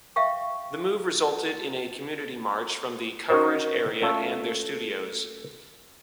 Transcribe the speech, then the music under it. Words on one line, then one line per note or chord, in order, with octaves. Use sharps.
The move resulted in a community march from the coverage area and their studios.
E5 F5 G5 C#6
C#4 D#4 F#4 A#4 C5
A3 C#4 F4 A4